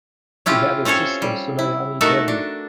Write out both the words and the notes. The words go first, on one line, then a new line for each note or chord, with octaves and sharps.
He had a sister, Sunayani Devi.
C#4 E4 F4 G4
C4 C#4 A4 C5 C#5
G3
E4
A3 D#4 F#4 A4 A#4 E5
D4